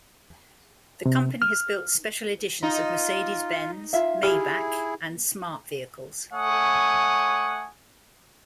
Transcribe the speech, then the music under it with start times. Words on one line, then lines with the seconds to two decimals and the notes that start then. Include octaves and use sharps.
The company has built special editions of Mercedes-Benz, Maybach, and Smart vehicles.
1.06 C3
1.42 F6
2.63 D#4 F4
3.93 F4 E5 F5
4.23 E4 G4 G#4
6.33 A3 C#5 F#5 G#5 D#6